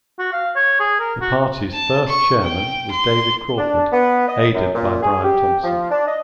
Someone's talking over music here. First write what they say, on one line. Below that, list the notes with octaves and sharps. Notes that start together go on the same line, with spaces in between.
The party's first chairman was David Crawford aided by Brian Thompson.
F#4
F5
C#5
G#4
A#4
F#4
A5
C#6
G5
C6
D4
B3
D#5
F#2
A#2
G#4
G4
F3
D4
D#5